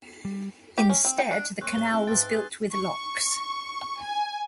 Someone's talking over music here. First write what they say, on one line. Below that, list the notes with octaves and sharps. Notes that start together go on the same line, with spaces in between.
Instead the canal was built with locks.
G3
G4
C#4
C4
G5
D4
G#3 A#3 C4 C#5 F#6
G#2 G#4 A4 A5 G7
C4 E4 E5
G#2 F3 C4 G#4 B4 G5 A6
G#4 C#6
C#6
G#5